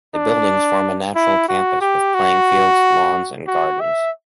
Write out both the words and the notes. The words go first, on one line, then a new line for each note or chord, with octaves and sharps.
The buildings form a natural campus, with playing fields, lawns and gardens.
D4
E4
F#4
G4
F#4
F#4
E5